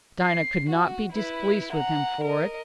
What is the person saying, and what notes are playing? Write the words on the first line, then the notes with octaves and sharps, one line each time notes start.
Dinah could not be displeased with him for it.
C7
F#4
E4 B4
F#5 A#5
A#4 D#5